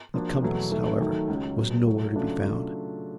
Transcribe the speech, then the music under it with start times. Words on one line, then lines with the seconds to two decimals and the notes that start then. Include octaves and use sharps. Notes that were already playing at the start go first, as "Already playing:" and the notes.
The compass, however, was nowhere to be found.
0.14 F3 A#3 D4 F#4
0.43 E2 B2 F#3 A3
0.72 D#3 F#3 A3
1.01 D#3 F#3 A3
1.28 C#2 C#3 F#3
1.58 C#2 B2 F#3
1.87 A#2 F#3 A3
2.15 C#3 F#3 A3 D4 F4